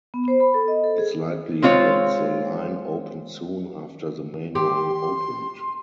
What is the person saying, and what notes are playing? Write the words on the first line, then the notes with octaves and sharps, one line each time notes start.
It is likely that the line opened soon after the main line opened.
B3
C5
B5
A4
D#5
A4
G#4
G#3 C4 F4 C#5
G4 C6